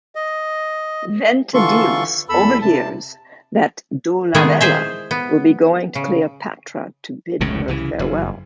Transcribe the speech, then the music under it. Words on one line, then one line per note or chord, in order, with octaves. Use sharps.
Ventidius overhears that Dolabella will be going to Cleopatra to bid her farewell.
D#5
D3 E3 F4 A4 C6 C#6
E2 A4 B5 E6
C3 A5
D#3 G#3 A3 B3 E4 G#4
G#4 C5 E5
B3
C#3
F1 C#2 A2 C#3
C2 C#3 E3
F#1